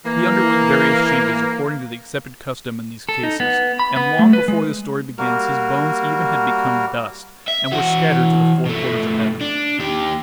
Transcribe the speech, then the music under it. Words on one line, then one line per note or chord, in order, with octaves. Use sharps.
He underwent various changes according to the accepted custom in these cases, and long before this story begins his bones even had become dust, and were scattered to the four quarters of heaven.
E3 A#3
A4
D#4
B3
B5
B3
A3
B4
G#3
G3 A#3 F#4 A#4
E5
E3 F#4
B2 A3
D4
D#2 G4